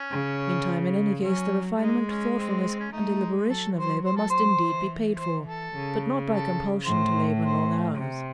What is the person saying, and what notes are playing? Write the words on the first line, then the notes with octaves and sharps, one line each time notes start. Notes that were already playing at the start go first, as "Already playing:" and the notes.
Meantime, in any case, the refinement, thoughtfulness, and deliberation of labour must indeed be paid for, but not by compulsion to labour long hours.
Already playing: C#4
C#3
F#3 C#4
G#3 D#4
C#4
C4
C4
C#4
A3 D#4
G#3
F#3 A4
C5
C5
A4
C5
E3
C5
A4
C#3
A4
A2 C5
C5
C3